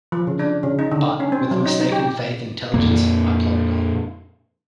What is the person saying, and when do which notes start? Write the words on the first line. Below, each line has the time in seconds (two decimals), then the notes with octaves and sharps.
But, with a mistaken faith in intelligence, I plodded on.
0.12 F3
0.27 C#3
0.39 D4
0.63 C#3
0.79 D#4
0.92 D3
1.20 C#4
1.32 C4
1.51 F#3
1.66 D#4
1.80 D#4
1.92 G4
2.74 F2 A#2 A#3